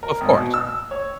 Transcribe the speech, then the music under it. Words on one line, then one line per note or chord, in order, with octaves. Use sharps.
Of course.
A#4
G#1
B2
E6
C#5